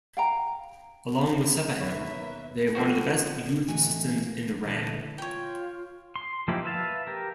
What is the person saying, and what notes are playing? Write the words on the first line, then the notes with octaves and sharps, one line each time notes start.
Along with Sepahan, they have one of the best youth systems in Iran.
F5 G5 A#5
D#2 B2 A#3 B4 C#5 E5
D3 F3 C4 F#4
A2 E3 A3 D#4 F#4 G#5
A#3
A#2 D3 E3 A3 E4 A4
F4 C#5 G5
C6
F3 A#3 D#4 E4 G4
B4 E5 F5 A5
G4 A#4